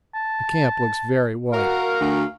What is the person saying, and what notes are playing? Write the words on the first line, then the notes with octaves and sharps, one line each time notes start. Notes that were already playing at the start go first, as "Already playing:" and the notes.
The camp looks very white.
A5
F#4 A#4 F5
D2